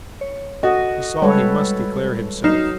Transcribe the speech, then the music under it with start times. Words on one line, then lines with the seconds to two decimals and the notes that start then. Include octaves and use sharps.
He saw he must declare himself.
0.21 C#5
0.63 F#4 A4 D#5
1.22 G3 G#3 A4 B4 C#5
2.44 F#3 D#4 F6 C7 E7